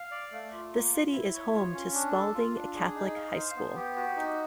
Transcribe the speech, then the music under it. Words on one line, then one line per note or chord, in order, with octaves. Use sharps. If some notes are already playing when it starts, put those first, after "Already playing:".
The city is home to Spalding Catholic High School.
Already playing: F5
D5
A3
F4
A#3
F4
E4
C#5
F4
C#4
D4
A4
F4
D4
G#4
D#4
F5
C5
B3
G4
F#4
D#4